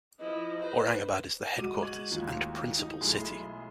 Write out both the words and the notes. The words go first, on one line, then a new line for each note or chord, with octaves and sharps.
Aurangabad is the headquarters and principal city.
F3 E4 D#5
B4 C5
G#3 F#4 D6 D#7
G#6 D#7 F#7
D#2 A2 F4
D#4
B1 A3 E4 G#4 C6